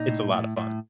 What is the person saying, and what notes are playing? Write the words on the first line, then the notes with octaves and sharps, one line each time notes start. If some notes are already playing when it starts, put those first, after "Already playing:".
it's a lotta fun.
Already playing: A#2 D#4
A2
A2
A2